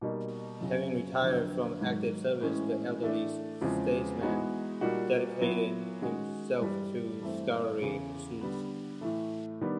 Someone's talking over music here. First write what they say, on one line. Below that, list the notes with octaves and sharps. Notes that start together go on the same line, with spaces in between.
Having retired from active service, the elderly statesman dedicated himself to scholarly pursuits.
B2 G3 A#3 D#4
F#2 C#3 F#3
F2 D3 F#3
G#2 D#3 F#3
A2 E3 G#3 C#4
A2 E3 A3 D4
E2 C#3 F3 G#3 C4
E3 G#3 B3 D#4 F#4
A#2 G3 A#3 D#4 F#4
A#2 F#3 B3 E4
D#3 G#3 C#4 F#4
G2 E3 G3
G2 E3 A3 C4
E2 C#3 E3
D3 G3 B3
A2 E3 A3
D#3 G3 B3 D4